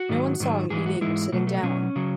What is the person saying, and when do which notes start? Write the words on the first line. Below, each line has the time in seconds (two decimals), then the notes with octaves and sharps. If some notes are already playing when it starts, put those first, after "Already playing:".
No one saw him eating or sitting down.
Already playing: F#4
0.09 G#2 D#3 F#3
0.40 G#2 D#3 F#3
0.70 G#2 E3 G#3 G#4
0.86 F#4
1.01 G#2 E3 G#3 E4
1.32 B2 F#3 A3
1.47 A3
1.63 B2 F#3 C#4
1.96 C#3 F#3